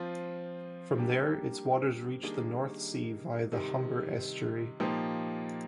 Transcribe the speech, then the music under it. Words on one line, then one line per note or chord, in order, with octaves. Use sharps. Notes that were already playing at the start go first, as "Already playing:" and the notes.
From there, its waters reach the North Sea via the Humber Estuary.
Already playing: F3 C4 F4
G3 A#3 D4 G4
D#3 G3 A#3 D4 G#4
C3 D#3 G3
A#2 F3 A#3 D#4 G4